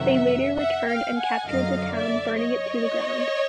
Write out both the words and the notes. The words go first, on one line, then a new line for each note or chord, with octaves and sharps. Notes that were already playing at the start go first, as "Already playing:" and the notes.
They later returned and captured the town, burning it to the ground.
Already playing: F2 C3 D#3 F#3 E5 F#5
E5 F#5
F5 G5
F#5 G#5
F#2 D3 F#3 D#5 F5
D5 E5
C#5 D#5